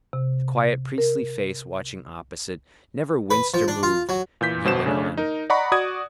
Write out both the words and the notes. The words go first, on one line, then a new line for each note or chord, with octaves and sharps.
The quiet, priestly face watching opposite never winced or moved; and he went on.
C3
A#4
B4
F3
D4
F4
F#3
A#2 E3 G6 B6
G1 B2 C5 E7
C#3 A3 C#4 D4
D#4 A#4
D5 D#5 F#5 A#5 B5 C#6
F#4 D5 D#6 G#6